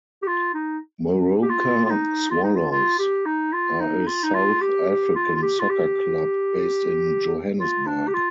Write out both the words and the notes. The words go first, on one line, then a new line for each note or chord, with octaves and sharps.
Moroka Swallows are a South African soccer club based in Johannesburg.
G4
F4
D#4
G4
F4
F4
D#4
F4
D#4
F4
F4
G4
D#4
F4
D#4
F4
D#4
F4
G4
G4
F4
F4
G4
F4
G4
F4
D4
G4
F4